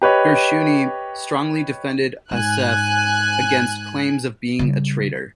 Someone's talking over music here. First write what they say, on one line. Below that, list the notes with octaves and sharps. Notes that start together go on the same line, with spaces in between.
Gershuni strongly defended Azef against claims of being a traitor.
G4 B4 C#5 D#5
G#2 G#5 F#6
C#3 G3